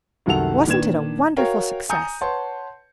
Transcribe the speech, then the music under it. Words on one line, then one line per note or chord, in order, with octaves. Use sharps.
Wasn't it a wonderful success?
C2 F#2 D#3 A4 F#5 F7
A#2 D#3 D4 B4 G#6 E7
F#4 A#4 C#5 F5 G5
G#5 A#5 D#6 G6 C#7
B4 C#5 F#5 A5 C6